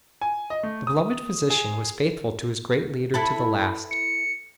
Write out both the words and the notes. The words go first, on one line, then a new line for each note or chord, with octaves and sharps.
The beloved physician was faithful to his great leader to the last.
G#5
D#5
A3
D#6
G#4
E4 A4 B4
C#7